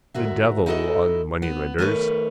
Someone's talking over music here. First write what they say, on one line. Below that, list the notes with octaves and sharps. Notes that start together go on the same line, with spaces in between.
The devil on moneylenders.
D2 G#2 F#4 A#4 E5
D#4 E4 F#4 A4 C#5 D#5
B3
D#3 A3 B3 A#4 B4 C#5